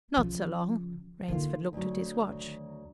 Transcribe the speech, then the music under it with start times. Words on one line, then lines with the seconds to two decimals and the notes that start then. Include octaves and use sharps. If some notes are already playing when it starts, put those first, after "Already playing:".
"Not so long." Rainsford looked at his watch.
0.17 C#3 F3
1.28 D3 A#3 D#4 F4
1.73 D2 F#3
2.32 D#3